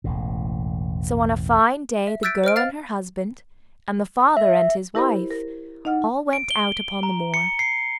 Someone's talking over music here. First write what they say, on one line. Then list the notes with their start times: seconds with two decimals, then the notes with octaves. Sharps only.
So on a fine day the girl and her husband, and the father and his wife all went out upon the moor.
0.04 E1 A1 A2
2.07 E5
2.23 E6 F#6 G6 A6 B6 D7
2.44 C5 D#5 F6 D7
2.56 F5 F6 A6 F7
4.37 E5
4.95 E4 G4 A#4 C5 D#5 B5
5.31 A#4
5.85 D#4 D#5 F#5 F6
6.33 D7
6.51 G7
7.03 A#5
7.34 C#7
7.59 C7